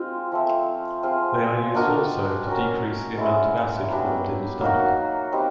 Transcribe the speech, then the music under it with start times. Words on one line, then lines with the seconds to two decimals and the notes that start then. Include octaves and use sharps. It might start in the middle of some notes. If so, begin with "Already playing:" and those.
They are used also to decrease the amount of acid formed in the stomach.
Already playing: G#3 C4 F4
0.32 F3 A3 C4
1.03 C4 F4 G#4
1.75 D4 F#4 A#4 D#5
2.47 C#4 F#4 A#4
3.17 G#3 C#4 E4 G#4
3.90 F#3 B3 D4 G4
4.61 F#3 A#3 D#4 F#4
5.32 G3 C4 D#4 G4